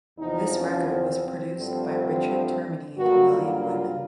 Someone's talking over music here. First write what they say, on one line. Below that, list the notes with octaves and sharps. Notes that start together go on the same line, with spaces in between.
This record was produced by Richard Termini and William Wittman.
E2 C3 F3 D#4
C#4
C4
C4
G2 D3 F3 A3 C4
G2 D3 F#3 A#3 F#4
F4
F4